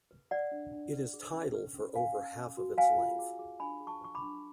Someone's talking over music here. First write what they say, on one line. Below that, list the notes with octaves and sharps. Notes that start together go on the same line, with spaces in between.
It is tidal for over half of its length.
B4
B4 D5 F#5
D4
D4
B4
G#4
C#4
B4
C#4
B4 F5 G#5
C#4
C#4
F#4
B4 F5 G#5
F4
G#4
G#4
D4 G#5 B5
G#4
A5 C#6
B4 C#6
B5 D6
D4